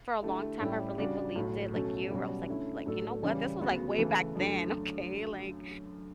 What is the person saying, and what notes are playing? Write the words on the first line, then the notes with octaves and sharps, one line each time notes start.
for a long time I really believed it, like you, where I was, like like, "You know what? This was, like, way back then, okay, like,
D3 A3 E4 G4
A2 G3 C#4 E4 G4
C#3 G3 D4 F#4
B1 A2 F#3
B2 F#3 A3 C#4
B1 B2 G3 C#4 F#4
D3 A3 C#4 E4
A2 F#3 A3 D4 A4
C#3 E3 G3 C#4
D2 C#3 F#3 B3 F#4
C#3 E3 A3
F#2 D3 A3